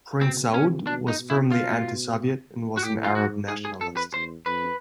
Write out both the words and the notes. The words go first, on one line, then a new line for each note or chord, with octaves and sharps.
Prince Saud was firmly anti-Soviet and was an Arab nationalist.
B2 C4
C3 C#4
B2 D4
D#4
B2
E4
F4
F#4
A2 G4
F4
G#2 F#4
G#2 G#4
G#4
F2 A4
B4
E2 C5
F2 B4